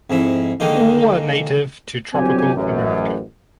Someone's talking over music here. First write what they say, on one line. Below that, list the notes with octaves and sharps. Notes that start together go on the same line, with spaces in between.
All are native to tropical America.
F2 G#2 E4
D3 D#3 G#3 A#3 D#4
G1 F#3 C4 G4 G#5
A1 F#2